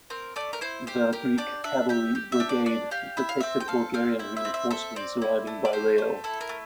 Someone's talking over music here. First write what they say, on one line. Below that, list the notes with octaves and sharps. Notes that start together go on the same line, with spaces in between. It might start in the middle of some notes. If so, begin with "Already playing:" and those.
The Greek Cavalry brigade detected Bulgarian reinforcements arriving by rail.
C4 A#4
A3 D5
A#4
E4 C5
G4 C5
G4 A#4
D4 D5
D4 E5
G4 E5
G4
E5
D4
D5
D4 D5
G4 F5
E4 E5
F5
C4 E5
G5
A4 F5
C4 F5
E4 E5
E5
C4
E5
A4 E5
C4 D5
E4
A3
D5
G4 C5
A3
E4 A4
A#4
A3